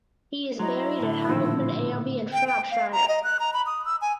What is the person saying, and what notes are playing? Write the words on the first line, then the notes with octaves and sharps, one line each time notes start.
He is buried at Haughmond Abbey in Shropshire.
F#3 E4 D#5 A#5 C6
A2 D3
A#2 D#3 F3 D4 F4 E6
G5
G5
F5
A#5
D#5
F#6
A#5
B5
D#6
E6
G#5